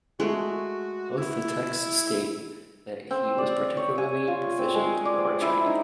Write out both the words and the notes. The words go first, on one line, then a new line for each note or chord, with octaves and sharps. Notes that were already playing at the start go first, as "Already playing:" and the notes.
Both the texts state that he was particularly proficient in archery.
G#3 A3 F#4
E4
C4
D5
C#5
G#5
F4
C4
G#3
D5
E4
D#4